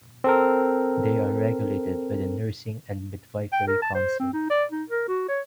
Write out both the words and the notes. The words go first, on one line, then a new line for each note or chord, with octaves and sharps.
They are regulated by the Nursing and Midwifery Council.
C4 A4 A#4
G5
A#4
A5
C5
C4
D#4
D5
D#4
A#4
F#4
C#5